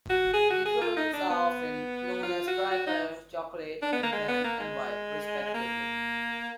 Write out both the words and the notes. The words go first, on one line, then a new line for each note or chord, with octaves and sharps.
These variants are often known as 'Tri-Color', 'Chocolate', and 'Tan and White', respectively.
F#4
G#4
F#4
G#4
F4
D#4
D4
B3
F4
F#4
F#4
D#4
D4
B3
A#3
G#3
B3
A#3
G#3
A#3